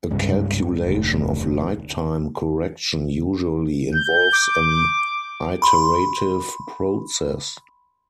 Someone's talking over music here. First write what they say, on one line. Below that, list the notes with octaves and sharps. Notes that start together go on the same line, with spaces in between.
A calculation of light-time correction usually involves an iterative process.
C2 G2 C#3 G#3
F1 D2
G6
D6
B5 C6